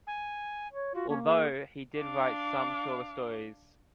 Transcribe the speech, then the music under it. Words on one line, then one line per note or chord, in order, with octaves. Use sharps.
Although, he did write some shorter stories.
G#5
C#5
F4 F#4
A#3 C#4
G#4
D4 F5 D6